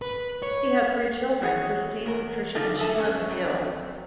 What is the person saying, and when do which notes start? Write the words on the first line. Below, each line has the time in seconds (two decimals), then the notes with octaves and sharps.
He had three children, Christine, Patricia and Sheila MacGill.
0.02 B4
0.43 C#5
1.41 E4 F#4 G#4 C#5 F#5
2.05 E2 A#4
2.55 F#2 D3 D#4 F4 A4
2.80 G#4 E5 A5
3.00 F#3 C#4
3.31 F2 F#3 C4